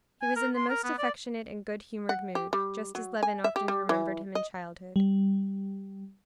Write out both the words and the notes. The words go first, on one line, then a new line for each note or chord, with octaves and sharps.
He was in the most affectionate and good-humored mood, just as Levin often remembered him in childhood.
G#5
A#4
C6
A#4
B3
D5
F#5
G4
G3
F#3
G#5
E5
G4
G3
E3
D#5
G3